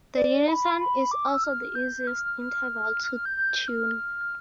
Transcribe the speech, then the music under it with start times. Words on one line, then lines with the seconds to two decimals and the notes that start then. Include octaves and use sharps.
The unison is also the easiest interval to tune.
0.16 D5
0.48 B5
0.80 B5
1.11 D6
1.28 E6
1.44 F6
1.75 G6
2.07 F6
2.24 F6
2.40 F6
3.04 F6
3.14 F6
3.25 G6
3.37 G6
3.68 F6